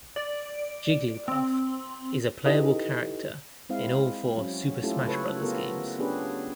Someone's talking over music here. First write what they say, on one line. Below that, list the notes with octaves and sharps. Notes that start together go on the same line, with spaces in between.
Jigglypuff is a playable character in all four "Super Smash Brothers" games.
D5
C4
D#4 E4 G4 A4 B4 D#5
G#3 C4 E4 F5
F#3 C#4
A3 C#4 E4 F4 G4 A4
C#3 A4 B4 C#5
B3 F4 G4 A4 A#4
B3 C#4 D4 G4 G#4 B4